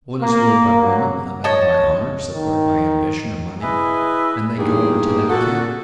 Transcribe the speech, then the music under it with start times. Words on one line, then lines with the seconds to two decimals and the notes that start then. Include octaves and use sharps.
One is lured by women, another by honors, a third by ambition or money, and they go over to that camp.
0.21 A#3
0.81 F#3
1.44 C#5 D#5 A5
2.35 D#3
3.62 E4 G#4 B4 D#5 E5
4.58 E2 G2 A#3 D#4 G4 G#4
5.30 A#2 F#4 A4